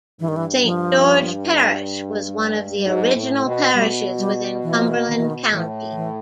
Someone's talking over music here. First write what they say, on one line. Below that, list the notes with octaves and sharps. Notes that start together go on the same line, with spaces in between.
Saint George Parish was one of the original parishes within Cumberland County.
G2 E3
D#3
E3
F3
G3
G#2 F#3
A2
B2
B2 G3
G3
E3
F3
E3
D#3
E3
D#3
A2 E3
D#3
E3